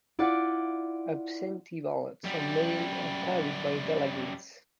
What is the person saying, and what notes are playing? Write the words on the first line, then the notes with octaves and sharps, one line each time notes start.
Absentee ballots are mailed or carried by delegates.
E4 F4 D5 F#5
F#2 G3